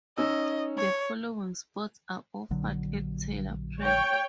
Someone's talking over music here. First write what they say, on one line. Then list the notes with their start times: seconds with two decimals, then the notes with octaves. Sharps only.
The following sports are offered at Taylor Prep.
0.18 C#4 D#4 D#5 E6
0.77 C#5
2.50 A#1 D3 F#3
3.82 C#5 G5